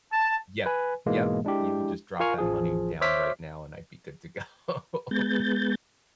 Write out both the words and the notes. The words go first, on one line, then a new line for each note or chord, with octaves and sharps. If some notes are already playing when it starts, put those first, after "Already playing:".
yep, yep, "you could just drop that money down right now, and I'd be good to go."
A5
B4 G#5
G#2 B2 E3 G#3 A#3
G#3 D4 E4 G4
F4 A#4 F5 G#5 C#6 F6
A1 F3 G#4
C5 C#5 E5 D6 F6 B6
G#3 B3 G6 A6